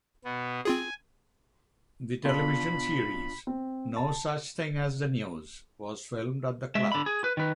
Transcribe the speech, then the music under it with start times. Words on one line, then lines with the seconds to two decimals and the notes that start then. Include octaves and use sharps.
The television series "No Such Thing as the News" was filmed at the club.
0.25 B2 B3
0.65 C4 F4 G#4 G#5
2.25 B2 D4 F4 B5 F#7
3.47 C4
3.96 A5
6.75 G#3 E5
6.92 D3 B5
7.06 G#4
7.24 B4
7.37 D#3 B4